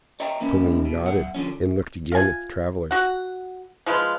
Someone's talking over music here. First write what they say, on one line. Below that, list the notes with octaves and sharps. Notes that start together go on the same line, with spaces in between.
Toline nodded, and looked again at the travelers.
C#5 D#5 E5 G5 A#5
E3 A#3 C4 C#4 D#4 E4
B2
B1 F#2 E5 F#5
D3 F3 C#4
F4 G#5
F#4 F#5
F3 G#3 F4 B4